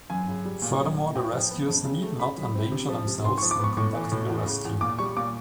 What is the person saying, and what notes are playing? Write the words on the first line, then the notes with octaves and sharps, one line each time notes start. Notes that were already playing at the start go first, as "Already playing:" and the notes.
Furthermore, the rescuers need not endanger themselves in conducting the rescue.
F#2 G#5
C#3
G3
A#2
F#3
A#2
A2 G5
F3
B3
F2
C#3
A3
C#3 B5
F#3
C4
C3
F3
C3
G#2 C6
F3 C#6
D6
B3 C#6
A2 C#6
E3
A2
E2
C#3
E2
A#2 D6
G3 C#6
A#2 D6